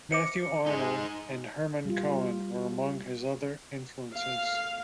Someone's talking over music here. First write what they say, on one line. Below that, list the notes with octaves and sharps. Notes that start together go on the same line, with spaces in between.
Matthew Arnold and Hermann Cohen were among his other influences.
C5 E5 D6 C#7
G#3 D#4 G#4
G3 F4
F5